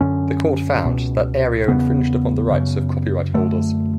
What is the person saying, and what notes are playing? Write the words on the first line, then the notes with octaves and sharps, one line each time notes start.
The Court found that Aereo infringed upon the rights of copyright holders.
F#2 D3 C#4
C#2 B2
E2 C#3 B3
F#2 C#3
F#2 D3 A3